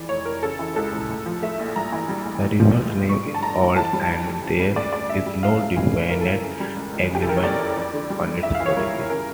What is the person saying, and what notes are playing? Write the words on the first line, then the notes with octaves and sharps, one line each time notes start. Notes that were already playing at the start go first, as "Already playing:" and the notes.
The river's name is old and there is no definite agreement on its origin.
Already playing: F2 E3 D5
F1 C#5
F1 A#4
C#3 A4
E3
C#2 A4
C#2
A2
F3
A3 E5
A#1
G2 A#5
E3
G3
A1
A2
F3
A1
A1
G2 C#6
D3
A5
A1 A#5
A1
E3 A5
G3
F2
F2
C#3
G3
D2 D5
D2 D5
C#3 E5
G3
C#2 F5
C#2
E3
A3
F2 A#4
A4
F2
A#4
C#3
G3
C#2
C#2
C#3 G4
A4
E3 A#4
C#5
A3 D5
F2
F2
D3
G3
G1
F2 E5
F5
E3
C#5
G3 A#4
G1
C#3 A#4